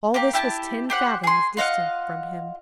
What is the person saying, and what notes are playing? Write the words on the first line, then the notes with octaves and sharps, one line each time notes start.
All this was ten fathoms distant from him.
A#3 G4
E4 G4 A5
G4 C5 F#5
G#4 C6
F4 D#5 F5 F#5